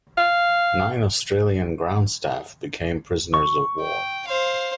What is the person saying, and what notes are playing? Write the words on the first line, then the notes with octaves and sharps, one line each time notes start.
Nine Australian ground staff became prisoners of war.
F5
C#6
G5
C5 F5